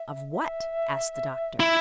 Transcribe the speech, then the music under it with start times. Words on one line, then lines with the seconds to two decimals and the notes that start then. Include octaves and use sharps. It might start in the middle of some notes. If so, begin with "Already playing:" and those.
"Of what?" asked the Doctor.
Already playing: E5
0.32 E5
1.60 E4 E5